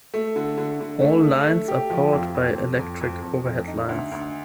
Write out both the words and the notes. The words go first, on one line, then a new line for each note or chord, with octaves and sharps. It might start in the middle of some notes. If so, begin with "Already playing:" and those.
All lines are powered by electric overhead lines.
A3
D3
D3
D3
A3
A3
A3
G4
F3
F2
F2
F2
F2
F2
F2
F2
D#4
D2
D2